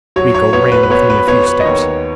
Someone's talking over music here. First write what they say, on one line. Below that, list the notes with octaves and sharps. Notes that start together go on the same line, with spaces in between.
Miko ran with me a few steps.
F#3 C#5
C#5
B3 C#5
B4
B4
B3 C#5
B4
B3 C#5
B4
D#5
D#2 C#5